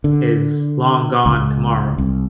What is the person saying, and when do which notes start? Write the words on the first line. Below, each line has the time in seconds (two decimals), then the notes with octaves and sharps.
is long gone tomorrow.
0.04 D3
1.26 C#2
1.98 C2